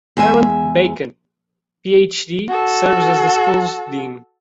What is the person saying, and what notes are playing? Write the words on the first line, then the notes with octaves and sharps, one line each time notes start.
Karen Bacon, Ph.D., serves as the school's dean.
E2 G#3 E5 G#5
F#4 A4